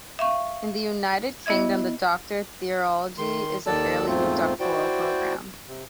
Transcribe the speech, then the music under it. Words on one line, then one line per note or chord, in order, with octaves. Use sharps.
In the United Kingdom, the Doctor of Theology is a fairly new doctoral program.
E5 F5 C#6
B3 E4 D#5 E5 G#6
D#3 C6
D#2 D#3 A4 D5 A5 E6
E2 G#2 A3 C4 F4
E4 F#4 C5 D5 G5
C3